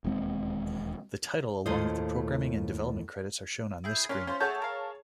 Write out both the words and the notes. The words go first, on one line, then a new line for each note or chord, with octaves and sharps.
The title along with the programming and development credits are shown on this screen.
E1 D#2 G#3 C4
D#2 A2 F4 C5 D#5
E4 G#4 G6
C#4 D4 F4 A#4
C#4 F4 C5
A3 G#4 C#5 F#5 A5 G6
A#4 F5